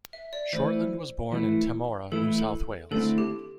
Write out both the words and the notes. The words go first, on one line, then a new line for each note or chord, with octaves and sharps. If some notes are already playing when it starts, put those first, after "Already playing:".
Shortland was born in Temora, New South Wales.
E5
D5
E3 A3 E4 C5
E3 A3 E4
E3 A3 E4 A4
A4
D3 A3 C4 E4 A4
G4